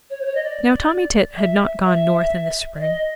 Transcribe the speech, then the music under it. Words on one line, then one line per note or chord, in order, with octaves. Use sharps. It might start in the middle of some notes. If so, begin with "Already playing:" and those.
Now Tommy Tit had not gone north in the spring.
C#5
C5
C#5
D#5
D5
E5
E5
D5
D#5